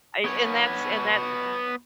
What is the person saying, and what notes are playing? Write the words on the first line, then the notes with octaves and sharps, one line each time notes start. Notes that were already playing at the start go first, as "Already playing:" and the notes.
I and that's and that
B3 C#5